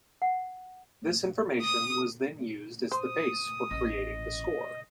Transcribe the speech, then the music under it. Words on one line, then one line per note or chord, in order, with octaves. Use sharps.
This information was then used as the base for creating the score.
F#5
D#6
C5 D#6
A1 D#5